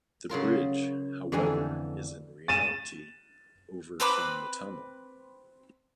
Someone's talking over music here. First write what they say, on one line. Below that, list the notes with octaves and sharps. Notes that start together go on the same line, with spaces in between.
The bridge, however, is in reality over from the tunnel.
C#3 F#3 F4 A#4
F2 D3 E3 A3 G#5 A#5
A6 D#7 E7
C4 B4 B5 D6